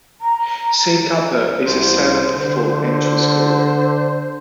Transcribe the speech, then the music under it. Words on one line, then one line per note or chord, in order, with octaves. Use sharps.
Saint Cuthbert's is a seven form entry school.
A#5
C2 C5
D3